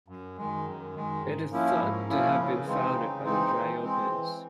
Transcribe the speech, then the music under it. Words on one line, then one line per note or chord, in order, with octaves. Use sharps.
It is thought to have been founded by the Dryopians.
F#2
D#3 G#3
F#2
D#3 G#3
G#2
F3 A#3 C#4 E4
G#2
F3 A#3 C#4 E4
C#3
E3 G#3 C4 D#4
C#3
E3 G#3 C4 D#4
E3
G#3 C4
E3